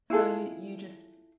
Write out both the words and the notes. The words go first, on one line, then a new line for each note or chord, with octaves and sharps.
So you you just f
E4 F4 G#4 A4